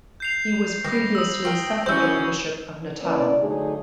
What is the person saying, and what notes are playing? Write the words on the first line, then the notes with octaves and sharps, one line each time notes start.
He was previously Suffragan Bishop of Natal.
G6 C7 F7
D#3 G3 A#6 C7
D#6 E6
F4 A#4 G5
E3 C#4 F#4 C5 E5 G6
A#3 C#4 E4 B4 D5
D3 F#3 A3 D4 D#4 G#4